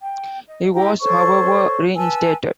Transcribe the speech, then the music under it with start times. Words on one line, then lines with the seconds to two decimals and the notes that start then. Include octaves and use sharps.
He was, however, reinstated.
0.01 G5
0.48 D#5
0.74 E4 G4 G5 A#5
1.01 A4 C5 C#5 C#6
1.96 B4 G#5 A5 E6